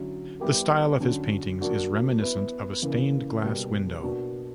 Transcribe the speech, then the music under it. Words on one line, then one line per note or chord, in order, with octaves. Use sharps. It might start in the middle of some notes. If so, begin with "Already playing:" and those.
The style of his paintings is reminiscent of a stained glass window.
Already playing: D3 F#3 C#4 E4
G3 B3 E4 G4 A#4
D3 F#3 C#4
F#3 A#3 D4 F#4
B3 E4 B4
C#3 E3 A#3
B2 G3 A#3
B2 A#3 D4 F#4